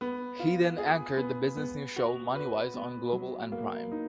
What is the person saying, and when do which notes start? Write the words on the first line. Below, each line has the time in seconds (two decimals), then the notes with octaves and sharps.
He then anchored the business news show "MoneyWise" on Global and Prime.
0.01 B3
0.40 F4
0.78 G#4
1.17 B3
1.57 B3
1.96 F#4
2.35 B4
2.74 B3
3.12 F#3
3.52 A#3
3.92 D#4